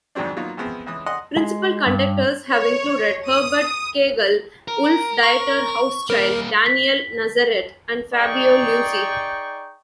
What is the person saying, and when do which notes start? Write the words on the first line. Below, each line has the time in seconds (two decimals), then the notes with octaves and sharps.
Principal conductors have included Herbert Kegel, Wolf-Dieter Hauschild, Daniel Nazareth and Fabio Luisi.
0.15 F2 G#2 D#3 F#3 C4 D4
0.37 F#3 A#3 B3 D#4 F4
0.57 E3 F3 G#3 B3 C4
0.86 C#2 E3 D#6
1.06 D#5 F#5 C6 D#6
1.36 G#3
1.86 G2
2.51 C#5
3.26 D#6
4.68 A#4
5.23 C#6
6.10 G3 A#3 A#4
6.66 B6
8.14 D#4 G#4 D5 G5 C#6